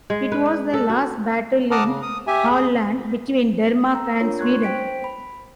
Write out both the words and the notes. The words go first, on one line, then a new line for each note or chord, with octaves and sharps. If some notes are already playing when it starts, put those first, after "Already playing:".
It was the last battle in Halland between Denmark and Sweden.
G#3
B4
B4
A4
F#4
F#5 A5 A#5 D6 D#6 F6
C#3
D#6
G4 E5 G#5
G#4
A#5 E6
D4 F4 A#4 C#5
C6 C#6 F#6 G#6
C5 G5 B6 D7
B5